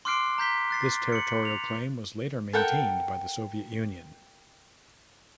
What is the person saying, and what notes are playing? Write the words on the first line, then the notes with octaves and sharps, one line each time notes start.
This territorial claim was later maintained by the Soviet Union.
C6 D6 F6 F#6 C7 D7
A#5 G6 B6 G7
F#6 A6 C7
C#7 F#7
F7
A4 A#4 F#5 G5